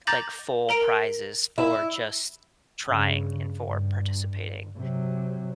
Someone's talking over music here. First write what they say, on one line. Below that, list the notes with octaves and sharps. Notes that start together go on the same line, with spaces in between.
like, full prizes for just trying and for participating.
A#5 D6 G6 A6 A#6 F#7
A#4 A#5 D7
E4
G2 C#3
G2
C3 F#3